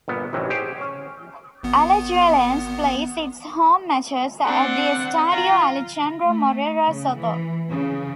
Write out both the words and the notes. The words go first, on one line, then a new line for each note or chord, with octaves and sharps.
Alajuelense plays its home matches at the Estadio Alejandro Morera Soto.
G1 A#2 B3
A1 A2 C3 D#3 E3 F#3
G4 G#4 C5 C#5
C#4 C#5
G#1 B3
C4 D4 F#5
F4 A#5
A3
C#3
E3
C#3